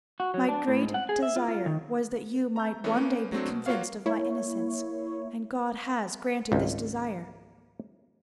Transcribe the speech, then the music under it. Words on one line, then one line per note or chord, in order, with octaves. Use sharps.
My great desire was that you might one day be convinced of my innocence, and God has granted this desire.
F#4
F#3
D4
A2
G#2
F#5
G#4
E5
F4
F4
D#3
A#5 G6
E3 G#3 A3 B3 C#4
A#3 B3 C#4
F#3 A3 C4 D4
B2
A#3 F4 F#4 C#5 F5
A#3 E4 C#5
G#1 C#2